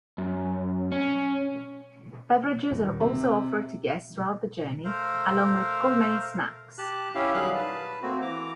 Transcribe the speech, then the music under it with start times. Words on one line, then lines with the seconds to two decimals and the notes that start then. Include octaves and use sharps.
Beverages are also offered to guests throughout the journey, along with gourmet snacks.
0.18 F#2
0.92 C#4
2.71 D#1
3.00 C3
4.85 A3 A#4 C5 F5
6.78 G4 A5 F#6
7.15 C#4 E4 G4 F5
7.34 D#3 F#3 G3 G#4 F5 F#6
7.55 B4 A5
8.02 A3 A#3 C4 F#4
8.22 E3 A#5 D6